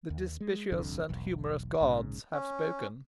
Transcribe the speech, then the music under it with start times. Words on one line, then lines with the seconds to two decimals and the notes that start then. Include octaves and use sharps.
The dispiteous and humorous gods have spoken.
0.10 D#2
0.41 G#3
0.72 D#1 C2 F2 D3
1.09 E1 B1
1.81 A#1 G#2 C#3
2.33 C#4